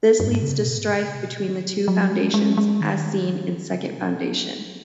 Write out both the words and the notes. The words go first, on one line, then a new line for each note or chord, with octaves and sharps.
This leads to strife between the two Foundations, as seen in Second Foundation.
F#2
G#2
C#3
B2
G#2
C#3
B2
D#3
F#3
F#3
G#3
G#3
G#3
D#3
C#3
B2
B3
G#3
F#3